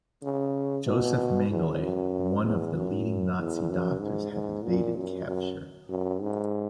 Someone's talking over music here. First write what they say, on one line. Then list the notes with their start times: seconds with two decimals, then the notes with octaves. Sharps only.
Josef Mengele, one of the leading Nazi doctors, had evaded capture.
0.23 C#3
0.87 B2
1.50 E2
1.81 F#2
2.44 E2
2.75 F#2
3.38 E2
3.70 F#2
4.01 G#2
4.33 G#2
4.64 A#2
4.96 F#2
5.27 F#2
5.90 F#2
6.21 G#2